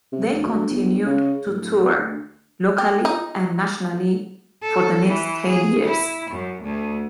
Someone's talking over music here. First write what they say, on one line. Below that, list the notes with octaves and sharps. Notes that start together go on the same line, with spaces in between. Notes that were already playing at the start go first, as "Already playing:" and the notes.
They continued to tour, locally and nationally, for the next ten years.
C3
F1
D2
G1
C#3
D1
D2
G4
D#4
A4
E3
G#4
E4
F#2
D2